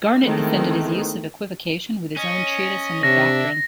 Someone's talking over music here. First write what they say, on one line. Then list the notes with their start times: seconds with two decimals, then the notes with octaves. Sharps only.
Garnet defended his use of equivocation with his own treatise on the doctrine.
0.21 D#3 E3 G#3 A3 B3 C4
2.17 C#4 D#5
3.03 C3 D4 E5 A#6